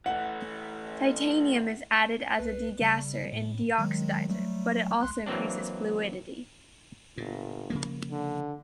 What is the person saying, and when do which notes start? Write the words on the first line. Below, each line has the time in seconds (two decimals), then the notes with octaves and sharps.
Titanium is added as a degasser and deoxidizer, but it also increases fluidity.
0.06 E3 A3 F#5
2.39 C2 B4
2.81 C#3 G3
3.32 A2
3.78 D#3 F#3 G#3
4.29 F#3 G3 A3
5.01 C2 C6 F#6
5.26 E3 F#3 A#3 C4 D4
7.18 G1 A#2
7.70 C#3 F3 A#3
8.11 D3